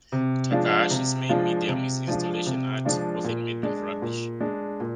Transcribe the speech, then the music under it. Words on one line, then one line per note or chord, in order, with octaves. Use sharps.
Takahashi's main medium is installation art, often made of rubbish.
C3
F3 G#3 D4 F4
C3
F3 G#3 D4 F4
C3
F3 G#3 D4 F4
C3
F3 G#3 D4 F4
A#2
G#3 D4
A#2
G#3 D4
A#2